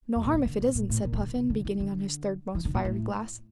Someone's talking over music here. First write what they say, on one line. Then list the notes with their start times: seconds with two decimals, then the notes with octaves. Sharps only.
"No harm if it isn't," said Puffin, beginning on his third most fiery glass.
0.16 F2
0.25 A#2
0.35 D3
0.46 D3
0.60 A#2
0.75 A#2
0.89 A2
1.04 A#2
1.13 E3
1.19 D3
1.35 C3
1.50 D3
1.65 E3
1.80 D3
2.55 E3
2.65 D3
2.74 A#2
2.85 A2